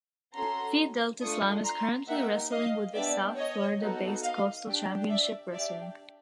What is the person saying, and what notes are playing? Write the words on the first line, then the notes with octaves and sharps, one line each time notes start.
Phi Delta Slam is currently wrestling with the South Florida-based Coastal Championship Wrestling.
C#4 F#4 A4 A#5 C6
A3 D4 F4 C#6 D#6
A#5 C6
A#3 D#4 G4 E5 F#5
D#5 F5
B3 D4 G4 D5 E5
C#5 D#5
B3 D#4 F#4 A4
D#5 F5
D4 G4
D5 E5
D4 G4 D5 E5